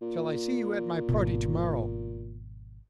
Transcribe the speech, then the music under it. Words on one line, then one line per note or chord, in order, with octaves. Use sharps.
"Shall I see you at my party tomorrow?"
A#2
G#1 B2